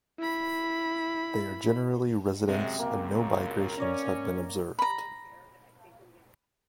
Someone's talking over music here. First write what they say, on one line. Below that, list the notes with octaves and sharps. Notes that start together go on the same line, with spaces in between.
They are generally residents and no migrations have been observed.
E4 B5
F#2 C3 G#3
C#2 F#2 A#3
C#4 C#5 D5 A#5
A#5 B5